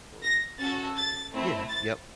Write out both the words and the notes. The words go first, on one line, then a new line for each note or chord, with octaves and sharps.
Oh yeah, yeah, yep,
A#6
C#4 F#4 A4 A6
A6
A3 C4 E4
A6